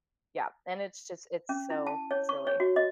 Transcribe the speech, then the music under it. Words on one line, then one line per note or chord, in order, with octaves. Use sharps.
Yeah, and it's just it's so silly.
C#4
E4
A5
C#5
C#6
C#5
F#4
D#5